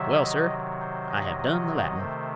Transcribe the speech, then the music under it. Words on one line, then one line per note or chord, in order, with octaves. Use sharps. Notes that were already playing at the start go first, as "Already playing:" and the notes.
"Well, sir, I have done the Latin."
Already playing: C3 D#3 F#3 E5
D#5
C5
D#5
D#5
C3 D#3 A3 C5